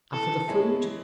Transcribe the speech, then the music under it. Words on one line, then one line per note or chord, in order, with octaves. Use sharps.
And for the food!
E3 A4
G#3 C#4 E4 G#4
E3